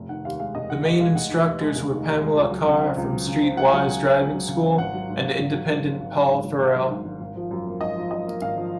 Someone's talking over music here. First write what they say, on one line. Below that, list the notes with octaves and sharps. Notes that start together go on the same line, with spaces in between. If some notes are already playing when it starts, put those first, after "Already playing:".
The main instructors were Pamela Carr from Streetwise Driving School and independent Paul Farrall.
Already playing: F1
D#3 F#5
D#2 F5
G#3 F5
F1 D#5
D#3 F#5
D#2 D#5
G#3 F5
F1 F#5
D#3
D#2
G#3
F1
D#3
D#2
G#3
C#2
F#3
C#3
C4
C#2
F#3
C#3
C4
C#2 F#5
G#5
F#3 F#5
C#3
C4
C#2
F#3
C#3
C4
G#1 F#5
F#3
G#2
G#1
G#1
F#3
G#2
G#1
G#1
F#3
G#2
G#1
G#1 F5
F#3
G#2
G#1
G#1
F3
F#2
A#3
G#1 D#5
F3
F#2 D#5
A#3
G#1 F5
F3